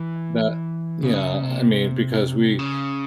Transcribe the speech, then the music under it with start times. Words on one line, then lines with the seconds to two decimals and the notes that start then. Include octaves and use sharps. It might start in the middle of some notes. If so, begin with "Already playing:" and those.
but, you know, I mean, because we,
Already playing: E3
1.03 C#3
1.43 C3
2.59 C#3